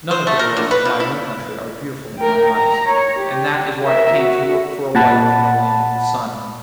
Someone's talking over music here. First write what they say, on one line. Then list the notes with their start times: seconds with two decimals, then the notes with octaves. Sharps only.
'None of the girls of my own country are beautiful in my eyes, and that is why I came to look for a wife in the land of the sun.
0.11 C5
0.27 A3
0.39 A#4
0.57 D3
0.71 B4
0.85 F3
1.00 E4
2.18 A#4 G5
2.52 A#5
2.87 C#5
3.19 G4
3.84 A#4 E5
4.13 F#4
4.95 A#2 F#5 A5 B5